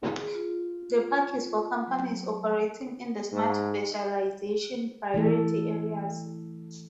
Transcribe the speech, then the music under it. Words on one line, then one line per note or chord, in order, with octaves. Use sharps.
The Park is for companies operating in the smart specialization priority areas.
G#4
F4
F#3
G#2
E3 A3 A4